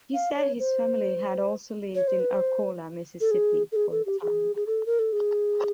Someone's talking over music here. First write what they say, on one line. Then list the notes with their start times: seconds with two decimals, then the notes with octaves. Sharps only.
He said his family had also lived in Arcola, Mississippi, for a time.
0.14 F5
0.36 C#5
0.60 C5
1.95 C#5
2.08 C5
2.20 B4
2.32 C5
3.21 A4
3.31 G#4
3.72 A4
3.76 G#4
3.91 A4
4.06 G4
4.22 G#4
4.56 G#4
4.67 A4
4.86 A#4
4.99 A4
5.13 G#4